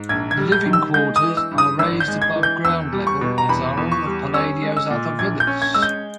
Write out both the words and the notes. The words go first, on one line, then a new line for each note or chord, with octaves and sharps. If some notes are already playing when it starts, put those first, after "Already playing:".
The living quarters are raised above ground-level, as are all of Palladio's other villas.
Already playing: G#2
A#1 G#6
G#6
G3
G6
D#3
E6
G#3 G6
D#6
E3
E6
G2
D#6
G#1 E6
G6
G#3
G#6
E3
G6
E2 E6
G3
C#6
B2
A#5
E2 B5
E2
C#6
G3
C#4 E6
G#3
E6
A#2
A#1 G#6
G6
C#4
G#6
G#3 E6
G6